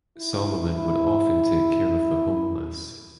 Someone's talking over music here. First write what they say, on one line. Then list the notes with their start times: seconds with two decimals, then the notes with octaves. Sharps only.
Salomon would often take care of the homeless.
0.17 E4
0.72 E4